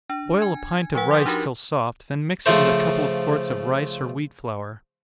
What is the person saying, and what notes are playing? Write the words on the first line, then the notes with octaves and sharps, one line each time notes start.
Boil a pint of rice till soft--then mix it with a couple of quarts of rice or wheat flour.
D4
G#5 G#6
F3 B4 F#5
C6 D6 D#6 G6 A6 B6
D4 D#4 F#4 G4 A#4
C#3 F3 A3 C5